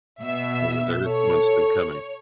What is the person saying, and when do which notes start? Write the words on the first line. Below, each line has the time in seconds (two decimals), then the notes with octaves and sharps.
Though there is one still coming.
0.21 B2 E5
1.06 A4 C#5